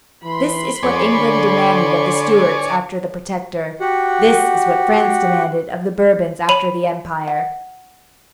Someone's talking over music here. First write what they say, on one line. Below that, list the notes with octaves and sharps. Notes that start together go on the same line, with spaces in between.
This is what England demanded of the Stuarts after the Protector; this is what France demanded of the Bourbons after the Empire.
E3 B5 C6
F2 C#5 D5 G#5
D3
F#4 G4 F#5
C#5 B5 D#7 F7 F#7
F#5